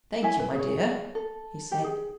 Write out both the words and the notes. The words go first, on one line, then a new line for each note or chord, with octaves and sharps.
"Thank you, my dear," he said.
E4 C#5 E5 G#5
B4
G#4 C#5
A4
G4 G5
G#4